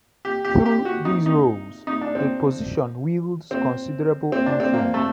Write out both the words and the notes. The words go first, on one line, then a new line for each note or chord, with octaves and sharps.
Through these roles the position wields considerable influence.
G4
G4
G4
F#4
D#4
D#4
D#4
D4
C4
C4
C4
D4
C4
A#3
A3